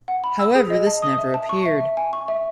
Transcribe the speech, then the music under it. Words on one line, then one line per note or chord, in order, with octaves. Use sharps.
However this never appeared.
F#5
B5
E6
G#4
D#5
A5
D#6
E5
A5
C#6
E5
E5
G#5
C#6
E5